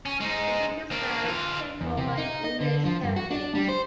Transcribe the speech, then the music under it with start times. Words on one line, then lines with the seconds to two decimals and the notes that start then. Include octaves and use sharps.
The site is now cared for by English Heritage.
0.06 C#4
0.20 G#3 D#4
0.91 A#3 D4
1.24 E3 F4
1.81 E2
1.97 C3
2.18 D#4
2.44 D#5
2.61 D3
2.85 F3
3.03 G2
3.16 F#4
3.31 D4
3.55 G3
3.69 C5